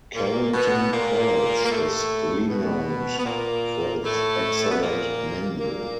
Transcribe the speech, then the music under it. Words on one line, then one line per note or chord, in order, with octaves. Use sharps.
Carrington College is renowned for its excellent menu.
A#2 A#3
B2 B3
A#2 A#3
A#3
A2 A3
B2 B3
B3
A#2 A#3
A2 A3
B3
A#2 A#3
A#2 A#3